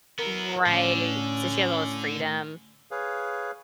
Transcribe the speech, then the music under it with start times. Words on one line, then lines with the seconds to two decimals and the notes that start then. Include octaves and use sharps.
Right. So, she has all this freedom,
0.19 B3 E4 A#4
0.66 A2 D3 C#4
2.91 G#4 B4 C#5 F5